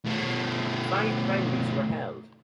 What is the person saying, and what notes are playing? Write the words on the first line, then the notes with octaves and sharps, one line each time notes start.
Five primaries were held.
B2 A3